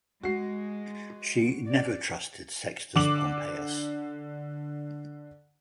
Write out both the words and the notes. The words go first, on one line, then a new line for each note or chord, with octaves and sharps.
She never trusted Sextus Pompeius.
G#3 F#4 C7
D5
D3 D6 F#7